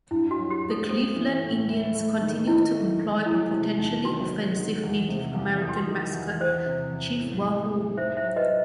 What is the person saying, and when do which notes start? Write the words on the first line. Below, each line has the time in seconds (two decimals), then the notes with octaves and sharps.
The Cleveland Indians continue to employ a potentially offensive Native American mascot, Chief Wahoo.
0.11 G2 E4
0.31 F#4
0.37 F#3
0.50 G4
0.64 G2
0.71 A4
0.89 C4 A4
1.16 E3
1.43 A2
1.69 E4
1.95 A3
2.21 D#3
2.47 D#4 E4
2.73 A3
3.00 E3
3.25 F#3 E4
3.51 C3 E4
3.78 E2 D#4
4.04 D#3 F#4
4.31 F#3
4.57 D#3
4.84 E2
5.09 C3
5.35 E2
5.62 E2 A4
5.69 G4
5.76 F#4
5.83 D#3 G4
6.13 E2
6.40 E2 C5
6.66 C3
6.92 E2
7.19 A2
7.45 G3
7.71 A2
7.97 D#4 C5 E5
8.17 C5 E5
8.24 F#3
8.37 B4 D#5